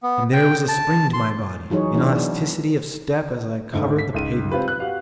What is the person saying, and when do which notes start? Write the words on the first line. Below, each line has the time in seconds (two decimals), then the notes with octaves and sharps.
And there was a spring to my body, an elasticity of step as I covered the pavement.
0.03 B3
0.33 G5
0.68 A5
1.14 C6
1.70 E3 F#3 D#4 G#4 C#5
1.94 E3 G#3 D4
2.15 B3
3.72 D2 G#2 D3
3.99 B6
4.14 C#2 D#4 D#7
4.51 C4 F4 G4 B4
4.68 F#6
4.80 F#4 G4 F5